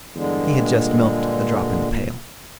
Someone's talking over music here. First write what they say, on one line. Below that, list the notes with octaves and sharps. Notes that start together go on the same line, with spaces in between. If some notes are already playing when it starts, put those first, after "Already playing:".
He had just milked a drop in the pail.
E2 G2 D3 G#3
A#2